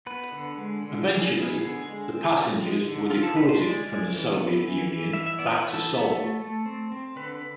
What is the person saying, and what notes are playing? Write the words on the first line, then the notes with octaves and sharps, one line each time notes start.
Eventually, the passengers were deported from the Soviet Union back to Seoul.
B3 B4
D3
G#3
D3
G#3 G#4
B3
D3 G#4
G#3
C4
C4
G#3
D3
C4 F4
A4
D3 B4
C5
G#3 D5
G#3
E3
B3
E3
E3
E3 E5
E5
B3 D5
B4
E3 A4
B3
A3
A3
C4
C4
D3 B4